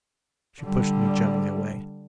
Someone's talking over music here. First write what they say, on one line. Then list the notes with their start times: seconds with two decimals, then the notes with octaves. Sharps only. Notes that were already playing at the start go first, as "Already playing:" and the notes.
She pushed me gently away.
0.62 D3 G3